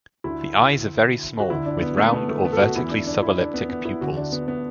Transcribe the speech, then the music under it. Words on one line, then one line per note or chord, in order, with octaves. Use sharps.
The eyes are very small, with round or vertically subelliptic pupils.
D2 D3 E4
F#4
D2 D3 E4
D4
B3
A3
B3
A3
B3
A4
F#4
E2 E3 E4
D4
D4
E4
D4
B3
B3
E4
D2 D3 F#4
D4
B3
B3